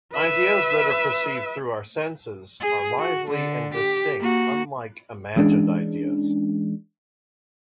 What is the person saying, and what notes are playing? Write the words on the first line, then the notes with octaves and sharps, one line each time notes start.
Ideas that are perceived through our senses are lively and distinct, unlike imagined ideas.
B4 E5
G#4
F#4
D3
G4
A#3 F#4
E3 G#3 C#4 D4